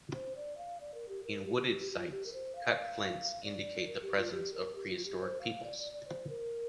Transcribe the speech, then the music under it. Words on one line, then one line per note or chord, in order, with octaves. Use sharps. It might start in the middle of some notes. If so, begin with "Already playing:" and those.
In wooded sites, cut flints indicate the presence of prehistoric peoples.
C5
D5
F5
D5
A#4
G4
A#4
G4
G4
G4
G4
F4
G4
A#4
C5
F5
D5
A#4
G4
F4
G4
A#4
G4
F4
G4
C5
F5
D5
D5
D5
C5
A#4